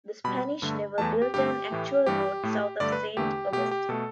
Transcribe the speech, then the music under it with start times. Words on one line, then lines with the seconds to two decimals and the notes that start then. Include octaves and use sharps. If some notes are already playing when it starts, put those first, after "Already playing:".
The Spanish never built an actual road south of Saint Augustine.
0.24 B2 G3 B5
0.62 G2 D3 A3
0.98 E2 E3 A3 A5
1.22 G4
1.34 G2 D3 A3 G4
1.71 A2 E3 A3
2.06 G2 E3 G3 G4
2.43 A2 A3
2.80 G2 D3 A3 D5
2.92 B4
3.17 E2 D3 A3 G4
3.52 B2 A3 G4
3.71 G4
3.89 B2 A3 A4